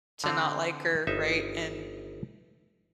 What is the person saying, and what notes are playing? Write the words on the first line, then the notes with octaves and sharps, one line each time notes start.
to not like her, right, and
D3 C4
G1 D#4 E5